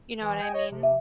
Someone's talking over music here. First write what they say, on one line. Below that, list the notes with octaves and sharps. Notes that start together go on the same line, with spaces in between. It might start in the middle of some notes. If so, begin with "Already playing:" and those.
you know what? I mean,
E3
D#5 G5 G#5
C#5 D#5
C3 F3
E5